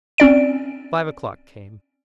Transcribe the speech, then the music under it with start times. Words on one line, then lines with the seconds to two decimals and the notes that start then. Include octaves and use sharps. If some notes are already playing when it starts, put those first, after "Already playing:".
Five o'clock came.
0.18 C4 C#4 D5 D7